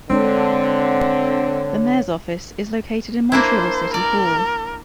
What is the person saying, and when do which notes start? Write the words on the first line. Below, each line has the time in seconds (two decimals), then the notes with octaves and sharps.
The mayor's office is located in Montreal City Hall.
0.10 D3 G#3 C4 D4 A4 C#5
3.32 A#3 D4 E4 C5
3.94 A#4 D5